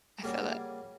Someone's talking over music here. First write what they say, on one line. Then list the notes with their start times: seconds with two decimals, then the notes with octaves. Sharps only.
I feel that.
0.23 C#3 F#3 G3 A#3